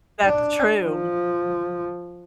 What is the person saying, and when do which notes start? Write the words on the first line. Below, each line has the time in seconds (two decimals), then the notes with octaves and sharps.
That's true.
0.25 D4
0.85 F3